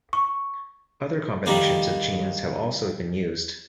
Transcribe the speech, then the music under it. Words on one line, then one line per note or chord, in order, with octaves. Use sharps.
Other combinations of genes have also been used.
C#6
D#3 G3 A#3 D4